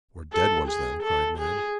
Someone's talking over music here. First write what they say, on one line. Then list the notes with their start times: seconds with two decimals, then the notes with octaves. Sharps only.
"We're dead ones, then!" cried Ned.
0.33 A4
0.68 G#4
1.03 A4
1.38 G#4